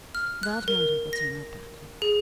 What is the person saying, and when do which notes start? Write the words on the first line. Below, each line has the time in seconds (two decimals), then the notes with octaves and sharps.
That matter will turn out badly.
0.15 F6
0.43 F#6
0.68 A#4
1.13 A#6
2.02 G#4